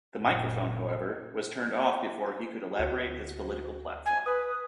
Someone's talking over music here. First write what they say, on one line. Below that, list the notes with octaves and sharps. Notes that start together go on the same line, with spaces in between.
The microphone, however, was turned off before he could elaborate his political platform.
F#1 A#2
D2 F#4
G#5
B4 D#6